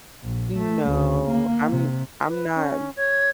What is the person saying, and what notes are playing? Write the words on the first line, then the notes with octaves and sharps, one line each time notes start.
No, I'm I'm not
A#1
A3
D2
A#3
C3
B4
C#4
C#5